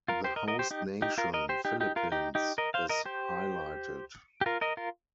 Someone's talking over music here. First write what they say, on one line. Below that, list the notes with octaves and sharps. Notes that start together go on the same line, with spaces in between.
The host nation, Philippines, is highlighted.
F4 A#4
G4 C5
A#4 D#5
A#4 D#5
G4 C5
D#4 G4
D#4 G4
F4 A#4
A#4 D#5
G4 C5
D#4 G4
D#4 G4
F4 A#4
D#4 G4
D#4 G4
A#4 D#5
C5 F5
A#4 D#5
G4 C5
G4
F4 A#4
A#4 D#5
F4 A#4